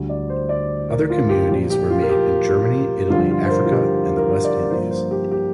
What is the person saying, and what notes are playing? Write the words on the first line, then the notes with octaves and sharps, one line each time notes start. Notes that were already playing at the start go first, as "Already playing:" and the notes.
Other communities were made in Germany, Italy, Africa and the West Indies.
Already playing: D2 D3 G3
D5
C5
D5
A#4
F4
G4
A#2 F3 A#3 G4
G4
F4
A#4
G4
G2 D3 F3 F4
F4
C5
A#4
F4
G4
A#4
D5
G2 F3 A#3 C5
C5
G4
G4